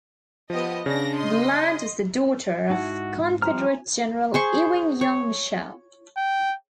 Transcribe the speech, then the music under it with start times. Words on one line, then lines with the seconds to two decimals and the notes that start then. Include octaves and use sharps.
Bland was the daughter of Confederate General Ewing Young Mitchell.
0.50 F3 B3 G4 D#5
0.86 C#3 D4 A#6
1.14 D#5 C6
2.70 G#2 D#4 E4 F#4 F#5 A5
3.42 F3 G3 C5 A#5 F6
4.34 G#4 C5 C#6
5.01 C#5
6.17 G5